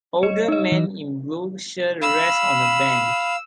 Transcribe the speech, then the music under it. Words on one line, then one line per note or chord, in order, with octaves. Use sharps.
Older man in blue shirt rest on a bench.
C#5 D#5
D#4 D#5
E3
F5 B5 E6